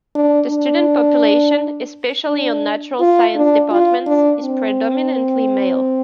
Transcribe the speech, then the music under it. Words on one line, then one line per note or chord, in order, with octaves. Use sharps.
The student population, especially on natural science departments, is predominantly male.
D4
D4
D4
F4
D4
F4
D4
C4